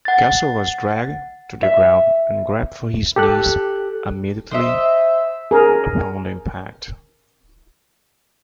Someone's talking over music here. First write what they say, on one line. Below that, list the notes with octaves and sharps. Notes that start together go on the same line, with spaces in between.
Cassel was dragged to the ground and grabbed for his knee immediately upon impact.
F#5 A6
E5
G4 A4 F#6
C5 D#5 E5
G#4 A#4